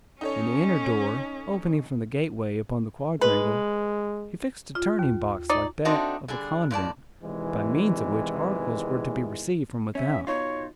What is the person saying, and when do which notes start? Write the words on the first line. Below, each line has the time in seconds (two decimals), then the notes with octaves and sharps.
In the inner door, opening from the gateway upon the quadrangle, he fixed a turning box like that of a convent, by means of which articles were to be received from without.
0.21 C#4 D#4 A4 C#5
3.21 G#3 B4
4.75 F4
4.99 D#2
5.50 D#4 D5
5.85 A3 C4 D4 D#4 F#4
6.28 D3 G3 G#4
6.71 F2 A2 D5 A5
7.23 G#1 E2 C3 D#3 E3 G#3
9.95 C#4 E5
10.27 B2 D#4 F4 C#5